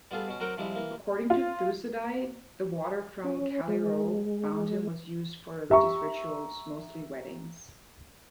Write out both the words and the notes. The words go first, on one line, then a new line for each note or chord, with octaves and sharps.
According to Thucydide, the water from Callirhoe fountain was used for religious rituals, mostly weddings.
G3 B3 F4 G#4 A4
B2 C#4
F#3 C4 A#4 F#5 G5
C3 F3 G3 G#3 E4
E3 A#3
F4
C#4
G#3
G4 E5 A#5 C#6